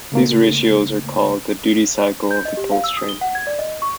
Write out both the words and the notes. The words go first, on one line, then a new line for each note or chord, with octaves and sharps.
These ratios are called the "duty cycle" of the pulse train.
C#3 A3 A#3
G6
D#5
G4
F5
E6
D#6
G7
F#5
G#6
D5
D#5
C#6